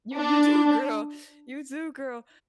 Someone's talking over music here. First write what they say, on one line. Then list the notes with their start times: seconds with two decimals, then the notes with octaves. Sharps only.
You d you do, girl. You do, girl.
0.17 D4